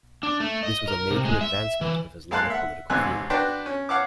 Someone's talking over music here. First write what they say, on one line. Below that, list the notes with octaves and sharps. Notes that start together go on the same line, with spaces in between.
This was a major advancement of Islamic political theory.
D4
A3
D#5
A#4
C3
G#3
E5
E3
G#3 A#3 F5 A5 C6 F#6
E5 F#5
A1 G#2 C3 G#5 E6 F#6
D4 F#4 B4 G5 A5 C6
C#4
C#5 F5 F#5 A5 D6